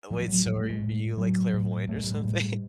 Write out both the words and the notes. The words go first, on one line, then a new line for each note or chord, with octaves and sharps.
Wait, so are you, like, clairvoyant or something?
A2 F3
F#3
A2 G3
A3
G#3
A2
A2 F#3
A2
A2 A3
G#3
G3
G#3
A2 G3